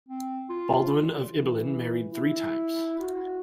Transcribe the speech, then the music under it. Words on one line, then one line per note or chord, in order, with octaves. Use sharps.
Baldwin of Ibelin married three times.
C4
F4
E3
E4
F#4